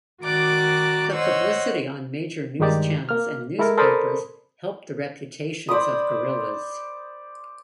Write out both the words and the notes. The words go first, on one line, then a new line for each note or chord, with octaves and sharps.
The publicity on major news channels and newspapers helped the reputations of gorillas.
D#3 F#4 D5 A#5 D6 F#6
C5 C#5 D#5 F#5 E6
G2 D#3 G#3 D#4 G4 D5
A#3 F6
G#3 E4 A4 A#4
A4 A#4 C5 D5 B5 D#6
C5 D5 B5 D#6